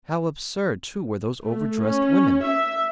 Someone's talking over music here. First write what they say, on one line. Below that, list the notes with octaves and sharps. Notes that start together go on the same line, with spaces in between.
How absurd, too, were those overdressed women!
A3
C#4
E5